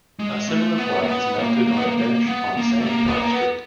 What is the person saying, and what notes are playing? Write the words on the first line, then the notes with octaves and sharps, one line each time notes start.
A similar plaque is mounted on a bench on Sandy High Street.
G#3
A3
B3
A#3
B3
A#3
A#3
B3
A#3
A#3
B3
A#3
A3
A#3
B3
A#3
B3